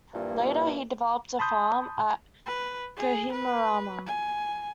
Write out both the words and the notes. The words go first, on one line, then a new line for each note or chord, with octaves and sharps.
Later he developed a farm at Kohimarama.
G2 A#2 E3 F3 A#3
A5 B5 C6 D#6 G6
B4
G#4
B4
G#5